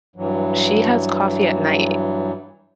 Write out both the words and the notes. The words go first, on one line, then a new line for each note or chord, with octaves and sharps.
she has coffee at night,
G2 E3 F#3